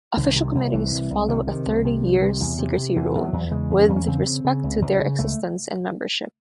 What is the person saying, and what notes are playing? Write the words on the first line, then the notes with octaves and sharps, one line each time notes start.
Official committees follow a thirty-year secrecy rule with respect to their existence and membership.
C2 D#3
C3
C2
C2 E3
C2
C2
C3 D#3
C3 D#3
C2
C3
C2
C3
E2
C3
C3
E2 E3
E2
F#3
E2
C#3 G#3
E2
C#4
E2
C#4
C#3 C4
C#3
C#3
C#2
C#2
C#3
C#2 A3